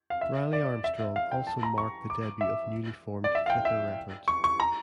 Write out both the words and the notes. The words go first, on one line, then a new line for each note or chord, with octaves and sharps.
"Riley Armstrong" also marked the debut of newly formed Flicker Records.
F5
E5
D5
E5
E5
F5
G5
A5
A#5
C#6
D6
E5
D5
E5
F5
G5
E5
C#6
C#6
A#5